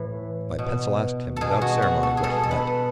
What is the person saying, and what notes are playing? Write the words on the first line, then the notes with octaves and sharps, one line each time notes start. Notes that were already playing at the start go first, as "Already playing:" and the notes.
My pencil asked him, without ceremony, what he meant.
Already playing: A2 E3 B4
B2
B2 G#4 A4
F#4
F#4
A4
G#4
B2 A4
A4
B4